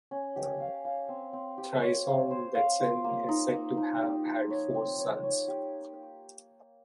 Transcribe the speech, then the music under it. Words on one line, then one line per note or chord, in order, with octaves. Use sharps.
Trisong Detsen is said to have had four sons.
C#4
G4
F5
F5
C4
C4
G4
C#5
F5
C5
F5
F4
A#3
D#4
A#3
D#4
G4
F3
C#5
C4
C#5
C#5
G4